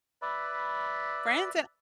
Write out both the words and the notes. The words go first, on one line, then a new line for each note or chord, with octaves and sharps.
Friends and
B4 D5 E5 B5